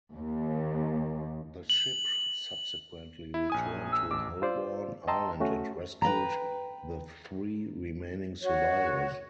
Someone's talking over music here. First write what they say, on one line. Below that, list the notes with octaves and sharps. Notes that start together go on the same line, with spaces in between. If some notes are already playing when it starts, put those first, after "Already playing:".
The ship subsequently returned to Holbourne Island and rescued the three remaining survivors.
D#2
F#7
E4
A#1 G#5 D#6
E6
A1 D6
F4 C5 D5
D#5 G5 A5 A#5 C6 E6
A3 C#4 F#4
B4 D#5 G5 A#5
F#4 C#5